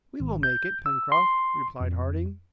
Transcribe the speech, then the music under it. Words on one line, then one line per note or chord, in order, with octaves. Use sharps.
"We will make it, Pencroft," replied Harding.
G#1
G6
E6
C6
F2